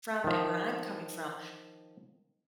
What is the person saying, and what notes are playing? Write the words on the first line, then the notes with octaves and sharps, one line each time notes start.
from and where I'm coming from,
D#3 F3